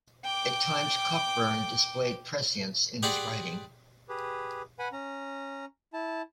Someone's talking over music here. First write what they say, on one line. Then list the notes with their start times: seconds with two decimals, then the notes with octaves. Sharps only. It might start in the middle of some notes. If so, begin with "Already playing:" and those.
At times Cockburn displayed prescience in his writing.
0.24 G5 D6
3.03 G4 G#4 B4 C5 D5 F#5
4.09 G4 G#4 B4
4.79 B4 F#5 G#5 B5
4.93 C#4 A#5
5.93 E4 A5